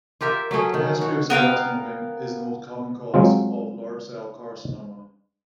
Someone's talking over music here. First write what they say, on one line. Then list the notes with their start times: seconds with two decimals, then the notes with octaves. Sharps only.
A history of cigarette smoking is the most common cause of large cell carcinoma.
0.21 F4 G4 A#4 E5
0.51 F#3 A3 C#4 G#4
0.74 D#3
1.01 F#4
1.30 B3 A#4 F5 G5
3.14 F#3 G#3 C4 F4